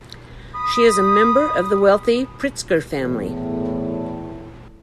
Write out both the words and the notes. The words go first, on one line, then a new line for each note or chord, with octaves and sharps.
She is a member of the wealthy Pritzker family.
B5 D#6
E2 A2